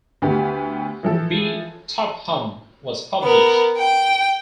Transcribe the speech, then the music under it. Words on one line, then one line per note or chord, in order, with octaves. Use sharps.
B. Topham was published.
D2 B3 G4
E3 F3 A4
B3 A#4
G5